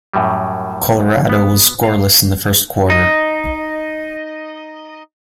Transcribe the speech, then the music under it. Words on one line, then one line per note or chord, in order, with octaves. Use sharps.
Colorado was scoreless in the first quarter.
F#2 A2 F#3 G3
B3
F5
D#4 D#5